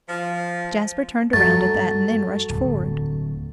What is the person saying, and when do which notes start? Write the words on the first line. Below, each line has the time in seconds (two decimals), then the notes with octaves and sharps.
Jasper turned around at that--and then rushed forward.
0.07 F3
1.33 G2 F#3 A3 A6
2.50 D1